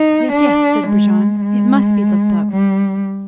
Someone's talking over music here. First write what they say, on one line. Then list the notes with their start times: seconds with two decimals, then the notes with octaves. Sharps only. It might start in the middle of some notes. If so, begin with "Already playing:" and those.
"Yes, yes," said Brujon, "it must be looked up."
Already playing: D#4
0.32 D4
0.87 G#3
1.42 G#3
2.52 G3